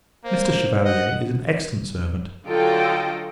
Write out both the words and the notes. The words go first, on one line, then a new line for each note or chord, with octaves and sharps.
Mr. Chevalier is an excellent servant.
A#3 C5
D#5 F#5
D3 F#3 F4 A4 D#5 G5